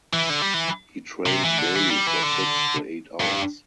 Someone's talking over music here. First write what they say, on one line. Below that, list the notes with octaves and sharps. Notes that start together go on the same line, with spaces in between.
He trains daily for six to eight hours.
E3
D3
G3
E3
C3
E3
D3
E3
G3
E3
D3
G2